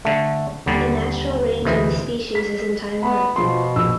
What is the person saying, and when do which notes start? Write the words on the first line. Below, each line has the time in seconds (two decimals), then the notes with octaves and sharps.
The natural range of the species is in Taiwan.
0.05 D3 A3
0.66 D#2 D3 G3 D5
1.65 D2 C3 E3 D#5
2.35 B6
3.03 B3 B5
3.36 B2 F3 C6
3.76 A#1 E6